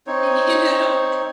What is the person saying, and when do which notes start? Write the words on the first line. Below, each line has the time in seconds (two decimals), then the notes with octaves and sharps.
y you know
0.07 C4 D#4 C#5